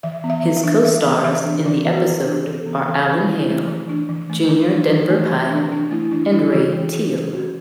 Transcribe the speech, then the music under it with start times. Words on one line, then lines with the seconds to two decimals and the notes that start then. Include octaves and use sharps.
His co-stars in the episode are Alan Hale, Junior Denver Pyle, and Ray Teal.
0.03 E3 E5
0.24 B3
0.30 E5
0.43 E3
0.57 E5
0.64 D4
0.84 E3 E5
1.05 B3
1.24 E3 E5
1.45 D4
1.66 E3 D5
1.86 B3
1.93 F#4
2.06 E3
2.19 G#4
2.26 D4
2.47 E3 A4
2.66 B3
2.87 E3 A4
3.08 D4
3.28 E3 E4
3.49 A3
3.68 E3
3.89 D4
4.09 E3
4.30 A3
4.49 E3
4.70 D4
4.90 E3
5.10 A3
5.30 E3
5.50 D4
5.71 E3 D4
5.91 A3 E4
6.11 E3 D4
6.32 D4 E4
6.52 E3 F#4
6.73 G#3
6.93 E3 G#4
7.13 C#4
7.33 E3 F#4